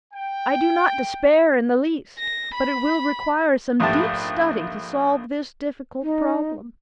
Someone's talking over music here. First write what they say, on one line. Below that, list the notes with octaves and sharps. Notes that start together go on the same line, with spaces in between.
I do not despair in the least, but it will require some deep study to solve this difficult problem.
G5
A#6
B5
A#1 G#2 A3 G4 A5
D#4